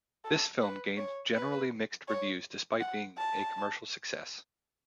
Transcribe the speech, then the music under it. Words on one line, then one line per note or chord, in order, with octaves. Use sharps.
This film gained generally mixed reviews despite being a commercial success.
A4
B4
C#5
B4
C#5
F#5
A5